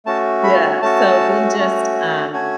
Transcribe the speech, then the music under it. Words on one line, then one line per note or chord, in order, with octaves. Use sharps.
yeah, so we just, um
A3 C#4 F#4 A5
B5
A3 C#4 F#4 A5
A3 C#4 F#4
A3 C#4 F#4 G#5